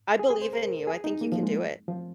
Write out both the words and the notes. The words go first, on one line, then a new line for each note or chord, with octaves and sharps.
I believe in you. I think you can do it.
G#4
G#4
C5
A#4
G#4
D#4
A#3
F3
G#3
F3